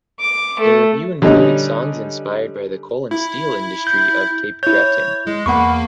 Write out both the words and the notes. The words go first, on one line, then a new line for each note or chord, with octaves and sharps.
The revue included songs inspired by the coal and steel industry of Cape Breton.
D6
A3
D3 G3 C#4 D#4
E4
G6
E4 C#5 G6
G#3
E2 A#3 F#5 B5 C#6